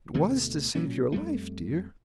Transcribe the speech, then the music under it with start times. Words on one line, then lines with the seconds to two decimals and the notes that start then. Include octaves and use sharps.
"It was to save your life, dear."
0.14 D2 B2 D3 A3
0.75 A#2 F#3 C#4
1.12 F2 G3 A3